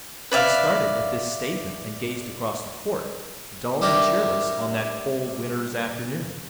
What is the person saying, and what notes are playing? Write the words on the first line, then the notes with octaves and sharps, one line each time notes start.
I started at this statement, and gazed across the court--dull and cheerless on that cold winter's afternoon.
B4 D5 E5 F5
G3 D4 E4 G4 A#4